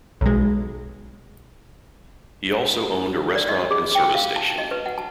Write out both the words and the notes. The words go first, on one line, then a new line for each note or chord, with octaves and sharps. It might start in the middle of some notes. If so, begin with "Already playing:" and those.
He also owned a restaurant and service station.
B1 G#3
D5
D#5
G#4
G5
F5
A5
D#5
B4
F#5
A5